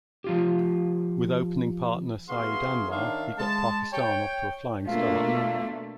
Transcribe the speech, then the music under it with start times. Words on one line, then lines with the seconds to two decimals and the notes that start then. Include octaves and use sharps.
With opening partner Saeed Anwar, he got Pakistan off to a flying start.
0.24 F3 F4 G4
2.29 E3 B3 F#4 G#4 F5 C6
2.91 D#3 C#4 D4 E5 F5
3.38 G#3 A5
3.93 C#5 G5
4.88 B2 A3 A#3 D4 F4